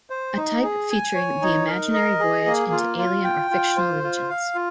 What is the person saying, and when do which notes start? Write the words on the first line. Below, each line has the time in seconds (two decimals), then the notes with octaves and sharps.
A type featuring "the imaginary voyage into alien or fictional regions".
0.10 C5
0.37 D#4
0.63 G#4
0.90 G#5
1.15 C#5
1.42 D#4
1.67 A#4
1.93 D#5
2.19 G#4
2.46 A#3
2.72 F4
2.98 F4
3.24 G5
3.51 F4
3.77 C5
4.04 F4
4.30 F5
4.55 F4